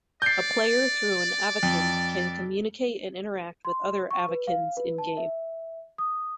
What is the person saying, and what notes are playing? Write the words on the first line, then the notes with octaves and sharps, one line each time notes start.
A player through an Avakin can communicate and interact with other Avakins in game.
D5 G6 C7
F2
C6
C#6
B4
F5
B4
A5
E5
D#6